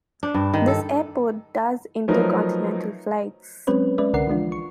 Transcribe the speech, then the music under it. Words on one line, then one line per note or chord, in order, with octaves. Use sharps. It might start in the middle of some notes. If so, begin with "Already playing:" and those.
This airport does intercontinental flights.
D4
G2
D#3
A4
F3 F#3 A3 D#4 A#4 B4
F#3 G#3 C4 C#4 B4 C#5
G#3 C#4 B4 D5 E5
C2 D3 A#4 D5 F#5 C7
E3 F3 G#3 D4 F4
C#6